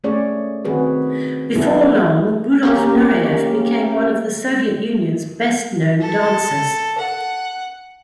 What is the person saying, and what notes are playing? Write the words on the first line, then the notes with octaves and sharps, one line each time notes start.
Before long Rudolf Nureyev became one of the Soviet Union's best-known dancers.
A3 C#4 G#4 C#5 D5
D#3 C4 F#4 G#4 B4
F#3 B3 D4 E4 G#4 A4
A#3 C#4 G4 A#4
A4
F#5